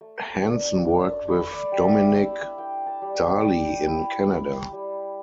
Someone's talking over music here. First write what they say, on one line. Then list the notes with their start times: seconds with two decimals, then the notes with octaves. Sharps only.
Hanson worked with Dominick Daly in Canada.
0.01 A3
0.43 D4
0.87 D4
1.29 A3 B4
1.51 D5
1.72 G3 G5
1.85 E5
1.98 D5
2.11 E4 E5
2.58 E4 G5
2.86 A5
3.02 G3
3.15 G5
3.43 G3 G5
3.87 E4
4.29 E4
4.73 G3